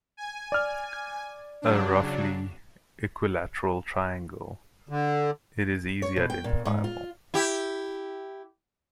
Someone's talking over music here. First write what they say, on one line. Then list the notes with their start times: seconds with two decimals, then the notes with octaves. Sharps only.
A roughly equilateral triangle, it is easily identifiable.
0.17 G#5
0.52 D5 F6
1.62 C#3 F#3 D4
4.89 D3
6.02 C#5
6.16 B2
6.30 G5
6.44 A#2
6.65 G#2
6.84 F4
7.34 E4 G4